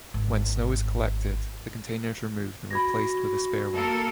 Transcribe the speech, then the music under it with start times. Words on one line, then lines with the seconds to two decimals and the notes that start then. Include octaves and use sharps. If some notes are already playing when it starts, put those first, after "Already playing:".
When snow is collected, the container is removed and replaced with a spare one.
0.14 G#1
2.71 F#4 B5 G#6 A#6
3.73 A#3 A4 A#4